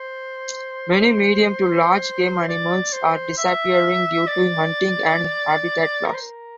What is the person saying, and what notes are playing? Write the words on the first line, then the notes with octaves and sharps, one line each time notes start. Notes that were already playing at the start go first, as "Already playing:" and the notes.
Many medium to large game animals are disappearing due to hunting and habitat loss.
Already playing: C5
D5
C5
E5
D5
A#4
C5
A#4